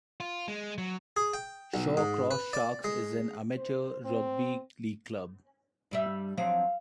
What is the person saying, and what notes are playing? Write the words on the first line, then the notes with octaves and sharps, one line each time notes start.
Shaw Cross Sharks is an amateur Rugby League club.
F4
G#3
F#3
G#4
G5
B1
G#2
B4
D5
G#3
C5
C4
G2 G3 E5
F3 F#3 C4 F5